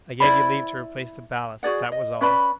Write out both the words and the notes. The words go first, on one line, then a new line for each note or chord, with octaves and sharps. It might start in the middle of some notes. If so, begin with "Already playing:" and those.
"I gave you leave to replace the ballast; that was all!"
E4 C5 D5 B5
F#4 G#4 D5 F#5
D#5
C#4 B4 D5 B5